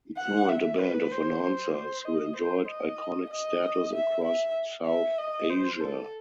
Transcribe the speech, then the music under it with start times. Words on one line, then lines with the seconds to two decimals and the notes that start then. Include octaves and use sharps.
He joined a band of announcers who enjoyed iconic status across South Asia.
0.17 F#5
0.49 E5
0.80 B4
1.11 C5
1.43 C5
1.74 C5
2.05 D#5
2.37 C5
2.68 D#5
3.30 D#5
3.93 E5
4.24 E5
4.87 E5
5.18 D#5
5.50 C5
5.81 A4